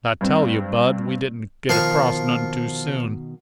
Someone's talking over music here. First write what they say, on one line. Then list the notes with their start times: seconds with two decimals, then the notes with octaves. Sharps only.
And I tell yuh, Bud, we didn't get across none too soon.
0.21 G2 C4
1.69 B2 D#3 F3 F4 F5 C#6